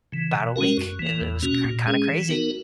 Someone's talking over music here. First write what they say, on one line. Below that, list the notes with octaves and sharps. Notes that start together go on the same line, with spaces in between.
'bout a week, it it was k kinda crazy.
C#3 E3
B2
G#3 C#4 F#4 A#4
F#2
E3 A#3
E2
B2 A#3 C#4 F#4
A#2
G#3 C#4 G#4
E3
B3 D#4 F#4 A#4